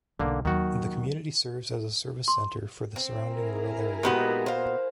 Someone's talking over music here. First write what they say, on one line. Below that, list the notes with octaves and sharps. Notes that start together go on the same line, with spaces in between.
The community serves as a service centre for the surrounding rural area.
B1 E2 D3 A#3
D#2 D#3 F#3 F#4
C6
C4
E4 G#4 A#4
A#2 G#3 B3 D#4 F#4 G4
C5 F5